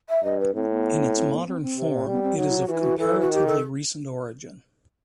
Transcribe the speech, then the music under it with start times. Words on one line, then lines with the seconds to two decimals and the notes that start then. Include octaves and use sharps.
In its modern form it is of comparatively recent origin.
0.09 E5
0.24 G2 D#5
0.40 B4
0.55 A2 C4
0.70 B3
1.15 C4
1.31 B3
1.46 C4
1.61 C4
1.77 C3
2.07 G3 B3
2.22 C4
2.37 F#3 D#4
2.48 E4
2.58 G4
2.65 F#4
2.69 E3 E4
2.81 F#4
2.99 E3 A4
3.20 F#4
3.29 D#3 G4
3.46 A4